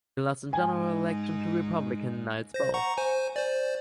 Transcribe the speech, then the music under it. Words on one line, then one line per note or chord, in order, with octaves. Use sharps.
He lost in the general election to Republican Nils Boe.
G#2 D#4 G#5
C5 A#6
F#5 A#5 C#6
C5 G#5
C5 D5